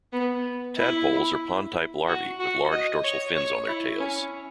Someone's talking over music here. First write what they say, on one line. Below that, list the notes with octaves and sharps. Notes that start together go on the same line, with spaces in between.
Tadpoles are pond type larvae with large dorsal fins on their tails.
B3
E4
F#4
F#4
D#5
C#5
C#5
E4
C#4